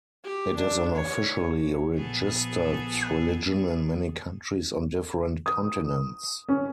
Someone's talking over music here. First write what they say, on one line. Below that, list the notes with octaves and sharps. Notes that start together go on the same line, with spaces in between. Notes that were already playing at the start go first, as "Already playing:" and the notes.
It is an officially registered religion in many countries on different continents.
G4
D4
C#5
A#1 B3 G#4 A4
D#6
C#4